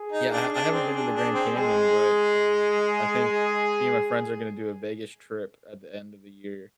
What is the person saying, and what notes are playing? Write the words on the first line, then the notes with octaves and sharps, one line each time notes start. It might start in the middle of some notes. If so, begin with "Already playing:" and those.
Yeah, I I haven't been to the Grand Canyon, but, um, I think me and my friends are gonna do a Vegas trip at the end of the year,
Already playing: G#4
D#4
D4
D4
C4
D4
D4
C4
G#3 G#4
G#4